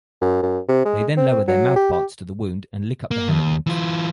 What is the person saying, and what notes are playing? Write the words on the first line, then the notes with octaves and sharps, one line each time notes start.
They then lower their mouth parts to the wound and lick up the hemolymph.
F#2
F#2
C3
G#3
C4
F#3
G4
G4
A#3
D#2
E3 F4